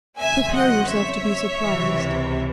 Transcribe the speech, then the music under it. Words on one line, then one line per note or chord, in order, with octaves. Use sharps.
Prepare yourself to be surprised.
E2 C#3 F#3 A3 C4 E5 G#5
D#5 F#5
C#5 E5
C#2 C3 E3